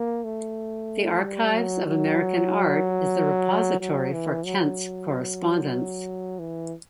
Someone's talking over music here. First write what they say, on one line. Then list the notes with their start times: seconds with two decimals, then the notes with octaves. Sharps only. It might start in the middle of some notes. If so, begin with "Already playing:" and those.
The Archives of American Art is the repository for Kent's correspondence.
Already playing: A#3
0.24 A3
1.22 G3
1.54 F#3
1.86 F#3
3.80 F#3
4.12 E3
4.45 F#3
6.39 E3